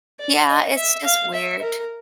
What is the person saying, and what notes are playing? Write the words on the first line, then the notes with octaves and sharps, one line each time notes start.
Yeah, it's just weird,
D5
D#5
E5
F5
E5
A#4